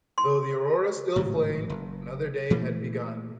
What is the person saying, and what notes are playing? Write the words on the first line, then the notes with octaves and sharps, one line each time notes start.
Though the aurora still flamed, another day had begun.
C6
G#1 A2 C#3 F#3
F#1
A#2 E3 A3 A#3